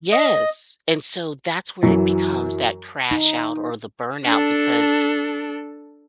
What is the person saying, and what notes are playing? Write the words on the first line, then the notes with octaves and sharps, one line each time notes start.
yes, and so that's where it becomes that crash out, or the burnout because
D#5
F#2 E3 F#3
D#4
D4 A4